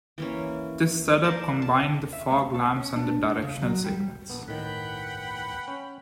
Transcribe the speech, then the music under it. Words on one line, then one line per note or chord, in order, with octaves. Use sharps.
This setup combined the fog lamps and the directional signals.
E3 A#3 C#4
A#4 C5 D5 A5
A5
E5
A3
A5
C#4
D4
C#3
F#3
G3
A#1 B3
A2 D#3 B4 F#5 G5 B5
C#4